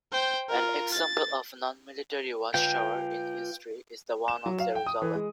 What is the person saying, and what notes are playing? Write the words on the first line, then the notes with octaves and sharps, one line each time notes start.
An example of nonmilitary watchtower in history is the one of Jerusalem.
C5 G5
F4 A#4
A6
F4 B4 F5 G5
E7
F#3
F5
G5
D#6
E3
G#3